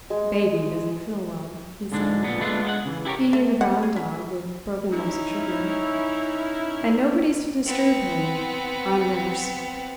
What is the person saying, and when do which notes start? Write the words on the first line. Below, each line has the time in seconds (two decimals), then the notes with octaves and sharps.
"Baby doesn't feel well," he said, feeding the brown dog with broken lumps of sugar, "and nobody's to disturb him--I'm nurse."
0.10 G#3
1.92 G#2 D3 G#3 D4
2.23 A#2 D3 B3 D4
2.40 G#3 A3 B3 D4 F4
2.65 G#3 A4 F#5
2.85 C#3 E3
3.05 E4 G4 A4 A#4 C#5
3.33 A3
3.61 F#5
3.83 G#4
3.96 C#4
4.92 C#4 D#4 E4
7.66 B3 C4